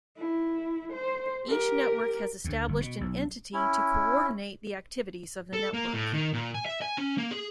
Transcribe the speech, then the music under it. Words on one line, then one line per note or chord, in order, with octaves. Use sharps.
Each network has established an entity to co-ordinate the activities of the network.
E4
C5
G4 A#4
D2
G1
B2
B1
C#4 E4
A4
A#3
A2
D#3
A#2
G#5
E5
G#5
C#4
A#3
G#4